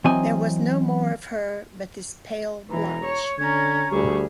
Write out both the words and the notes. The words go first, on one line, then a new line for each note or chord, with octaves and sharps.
There was no more of her but this pale blotch.
E3 F#3 C4 D#5 G#5
E1 E3 A#5
C#5
D3 C#4 A#5 G#6
D2 G3 G#4 C#6